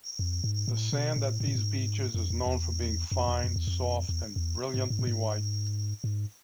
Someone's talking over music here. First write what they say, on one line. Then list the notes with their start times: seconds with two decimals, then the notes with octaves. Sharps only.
The sand at these beaches is known for being fine, soft, and brilliantly white.
0.19 F2
0.44 G#2
0.68 A2
0.92 B2
1.16 A2
1.40 G#2
1.47 A2
1.55 G#2
2.14 F2
2.30 E2
2.46 E2
3.12 F2
3.28 E2
3.44 F2
3.56 E2
3.67 F2
4.09 E2
4.36 E2
4.74 G#2
4.90 G#2
4.99 A2
5.07 G#2
6.04 G#2